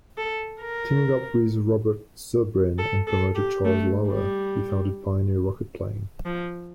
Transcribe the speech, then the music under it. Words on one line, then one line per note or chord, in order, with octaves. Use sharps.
Teaming up with Robert Zubrin and promoter Charles Lauer, he founded Pioneer Rocketplane.
A4
A#4
A4
A4
G4
A3
G3
F3